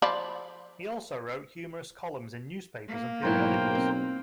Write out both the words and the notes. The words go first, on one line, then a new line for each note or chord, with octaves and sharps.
He also wrote humorous columns in newspapers and periodicals.
F3 D5 B5
A#3
B1 G#2 F#3 E4 A#4 C5 G5
C4